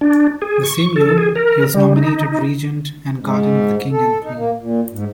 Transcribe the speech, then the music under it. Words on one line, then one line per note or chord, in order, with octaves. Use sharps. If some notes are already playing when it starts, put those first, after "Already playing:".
The same year he was nominated Regent and Guardian of the King and Queen.
D4
G#4
C#6
A4
G#4
A#4
G3
D#4
G#2
A4
D#4
A#3
A#2
G#2